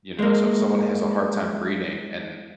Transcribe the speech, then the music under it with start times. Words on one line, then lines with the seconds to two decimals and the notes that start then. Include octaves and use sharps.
you know, so, if someone has a hard time reading and
0.19 G#3 A#3